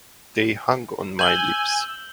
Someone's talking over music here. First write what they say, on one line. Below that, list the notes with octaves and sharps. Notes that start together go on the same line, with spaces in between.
They hung on my lips.
G#5 E6 G6 F#7 G7